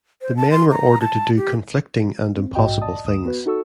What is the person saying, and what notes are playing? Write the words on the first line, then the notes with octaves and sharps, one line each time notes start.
The men were ordered to do conflicting and impossible things.
C5
A5
C6
A#5
A5
G4
C4
A#1 G#2 F#4 D#5 G5
D5 D#5 A5 D#6
D2 D#6 E7
B3 F#4 B4
D#4 F#4 A4 C#6 E6